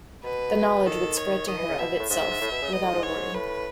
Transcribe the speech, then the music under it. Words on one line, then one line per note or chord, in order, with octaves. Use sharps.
The knowledge would spread to her of itself, without a word.
B2 B4
D#3 A4
C#5
D#3 D#5
E3
C#3
B2 E5
B2
A2
G#2 E5
G#2
G#2
A2
B2
C#3
B2 D#5
A2
G#2
C#5
A2 B4